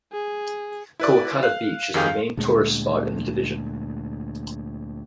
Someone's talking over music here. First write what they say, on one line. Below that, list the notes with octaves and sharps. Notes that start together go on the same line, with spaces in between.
Kuakata beach is the main tourist spot in the division.
G#4
E4 B4 D5
F5 F#6
F2 D#3 G4 G#4 F5 G6
F5
D2 A#2 G#3